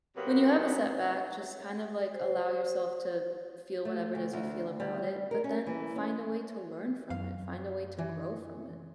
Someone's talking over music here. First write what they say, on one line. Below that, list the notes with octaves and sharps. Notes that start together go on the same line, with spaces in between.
when you have a setback, just, kind of, like, allow yourself to feel whatever it is you feel about it, but then find a way to learn from it, find a way to grow from it.
C3 F#3 A#3 B3
C5
A3
D2
D2
G3
A#4
C#4
E3
C#4
F#2 F5
E3